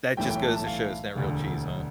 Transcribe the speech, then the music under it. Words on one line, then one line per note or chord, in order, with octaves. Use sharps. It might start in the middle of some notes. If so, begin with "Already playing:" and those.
That just goes to show it's not real cheese, huh.
B1 A2 E3 A3 G5
G5
A5
A5
F5
E1 D2 D3